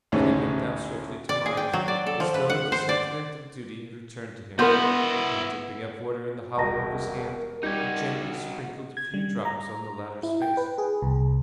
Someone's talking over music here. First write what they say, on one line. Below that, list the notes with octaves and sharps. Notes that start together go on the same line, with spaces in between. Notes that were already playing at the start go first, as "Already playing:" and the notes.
Then he bent down swiftly to Marius, as though the sentiment of duty had returned to him, and, dipping up water in the hollow of his hand, he gently sprinkled a few drops on the latter's face.
A1 D2 G#2 C#4
D5
G#4
G5
F#3
D5
A4
F3
B4
F#5
C5
D5
B3 E4 F#4 A#4 C6 G6
E1 C2 A#4 D#5 A5 A#5 A#6
G3 D#4 F#4 G4 G6 G#6
G#6
G3
A#5
E4
G5
B4
G#4
C2